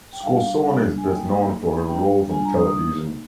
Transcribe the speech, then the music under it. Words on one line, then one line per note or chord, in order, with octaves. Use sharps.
Scorsone is best known for her roles on television.
G5
G3 D4 F4 F5
G3 D4 F4
G#5
A#3 D#4 G5
A#3 D#4
G3 D4 F4 G5
G3 D4 F4 G#5
A#5
D#6
A#3 D#4